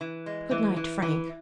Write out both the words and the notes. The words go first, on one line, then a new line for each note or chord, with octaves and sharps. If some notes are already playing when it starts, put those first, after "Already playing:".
"Good night, Frank."
E3
G#3
E3
E3
E3